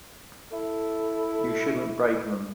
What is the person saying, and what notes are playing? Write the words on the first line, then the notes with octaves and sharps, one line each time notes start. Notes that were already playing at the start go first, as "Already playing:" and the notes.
You shouldn't break them.
E4 A4